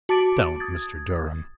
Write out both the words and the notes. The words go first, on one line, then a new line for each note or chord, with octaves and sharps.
"Don't, Mr. Durham!"
F#4 A5 D6 A6 D7
D#6 G#6 A6